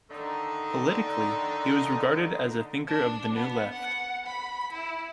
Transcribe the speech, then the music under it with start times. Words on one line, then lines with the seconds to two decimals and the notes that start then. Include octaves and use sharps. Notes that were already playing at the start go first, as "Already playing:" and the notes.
Politically, he was regarded as a thinker of the New Left.
0.10 D3 D#3 A3 D4 D#4
2.88 D4
3.34 B3
3.72 F#5
4.26 B5
4.73 E4